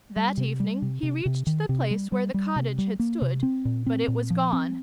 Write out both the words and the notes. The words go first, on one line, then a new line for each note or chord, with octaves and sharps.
That evening he reached the place where the cottage had stood, but it was gone.
G3
C3
G3
C3
C3
C3
D#3
C3
G3
G3
G3
C3
G3
A#3
C3
C4
A#2
C4
A#2
F3
C4